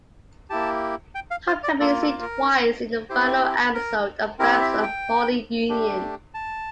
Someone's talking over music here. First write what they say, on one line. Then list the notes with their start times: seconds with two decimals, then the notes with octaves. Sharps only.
Pop can be seen twice in the final episode of "Bam's Unholy Union".
0.50 A#3 E4 G4 A5
1.15 G5
1.31 F5
1.47 C5
1.63 D5
1.80 A#3 F4 A4
2.02 A4
2.22 A#4
3.10 C4 E4 G4 C5
3.74 A#4
4.39 C4 E4 G4 A#4
4.61 E5
4.83 G5
5.69 A3 D4 G4
6.34 A5